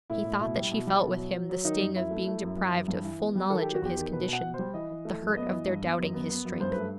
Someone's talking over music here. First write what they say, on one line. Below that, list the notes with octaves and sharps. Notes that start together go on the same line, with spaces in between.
He thought that she felt with him the sting of being deprived of full knowledge of his condition, the hurt of their doubting his strength.
A2 E4
A2
B2 E4
G3
B2
G3
B2
F#3
F#3
F#3
D#3 D#4
F#2
F#2 E4
A3
A3
F#2
F#2
F#2
G2
E3
B3
G3
D#3 A4
F#3 G4
F#4
E2 G4
D#3
B2 B4
B2
F#5
B2
C5
G3
E3 D#5
E3
A3
F#2
B3 D#5
E3
G2
B3
F#2
B3
B3
F#2
G2 C5
A3 B4